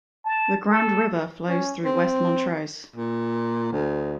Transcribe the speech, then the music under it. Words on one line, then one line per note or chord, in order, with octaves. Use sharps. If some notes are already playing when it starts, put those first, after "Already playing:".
The Grand River flows through West Montrose.
A5
A4
C#4
C4
A#2
D2